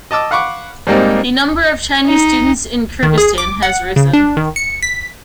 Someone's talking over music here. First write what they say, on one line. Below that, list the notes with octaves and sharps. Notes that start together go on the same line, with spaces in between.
The number of Chinese students in Kyrgyzstan has risen.
D#5 A5 D6 E6
F5 F#5 B5 C#6 D6
G#2 G3 A#3 C4 D#4
D#4
D#3
G#4
D6
F#5
C#3
D4
D#3
C#7
B6